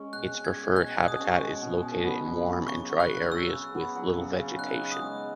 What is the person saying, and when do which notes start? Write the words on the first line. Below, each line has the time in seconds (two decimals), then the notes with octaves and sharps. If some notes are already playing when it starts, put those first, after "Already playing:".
Its preferred habitat is located in warm and dry areas with little vegetation.
Already playing: G#3 C#4
0.13 B2 F#6
0.34 C#4
0.45 G#6
0.56 G#3
0.76 B2 F#6
0.98 B2
1.08 D#6
1.19 C#4
1.40 G#3
1.62 B2
1.83 B2
2.05 B3
2.26 F#3
2.47 C#3
2.68 C#3 C#6
2.90 B3
3.00 F#6
3.11 F#3
3.32 C#3 E6
3.53 C#3
3.75 B3
3.96 F#3
4.17 C#3
4.38 C#3
4.59 D#4 F#6
4.81 B3
4.92 D#6
5.02 G#3